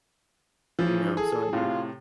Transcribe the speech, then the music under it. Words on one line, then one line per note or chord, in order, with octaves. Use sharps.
you know, so I'm
C#3 E3 F3
G#4 A4
A2 C3 F4